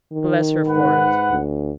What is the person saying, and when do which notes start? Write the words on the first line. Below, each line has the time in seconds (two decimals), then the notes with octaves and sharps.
Bless her for it!
0.13 D#3
0.67 G#2 B4 F#5
1.30 D2